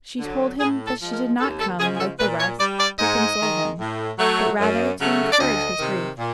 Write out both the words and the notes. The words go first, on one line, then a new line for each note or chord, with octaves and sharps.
She told him that she did not come, like the rest, to console him, but rather to encourage his grief.
D3
F#3
A2 G#4
A4
F3 G#3
A#4
D#2 A4
A4
C#3 F3 G#3 G#4
G#4
A4
A#2 B4
C#5
G3 D5
D5
G#2 D#5
D#3 G#3
A2
F#3 A3
F#2
C#3 F#3 A3
D5
D2 D#5
C3 D#3
A#2